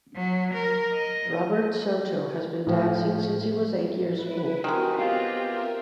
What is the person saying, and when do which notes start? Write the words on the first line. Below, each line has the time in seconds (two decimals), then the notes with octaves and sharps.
Robert Soto has been dancing since he was eight years old.
0.15 F#3
0.54 A#4
0.93 D#5
2.67 A2 F3
4.14 E4 B4
4.64 D#3 G#3 C4 F#4 G4
4.99 B3 C4 F4 G4 F5 G5
5.43 A#4 E5